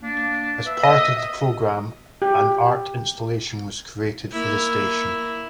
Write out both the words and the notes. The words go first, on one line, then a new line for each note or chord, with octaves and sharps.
As part of the program, an art installation was created for the station.
A#3 D4
B4 E5
D#5
G4
A#3 E4